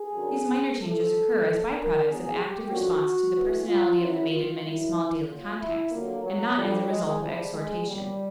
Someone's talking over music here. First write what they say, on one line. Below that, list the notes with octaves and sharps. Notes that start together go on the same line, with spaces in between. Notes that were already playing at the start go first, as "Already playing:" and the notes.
These minor changes occur as by-products of active response to the personality of the mate in many small daily contacts, and not as a result of exhortation.
Already playing: G#4
F#2 D3 F#3
F2 C3 E3 A4
A#2 F3
A#4
E2 C#3 F#3 G#4
G4
F#2 D3 F3 F#4
A2 E3
F4
F#2 C#3 F#3 E4
F4
G2 D#3 F#3 E4
A#2 F#3 F4
E4
F2 D3 F#3 A#3
F#3
F2 D3 F3 G3
G#3
G#2 F3 G3
G#3
A#2 F#3 G3